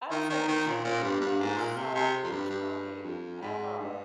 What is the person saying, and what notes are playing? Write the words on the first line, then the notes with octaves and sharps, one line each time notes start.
I was like, the chicken never saw your tummy ever.
D#3
D#3
D#3
A#2
A#2
G2
G2
G#2
A#2
C3
C3
F2
G2
G2
F2
G#2
G2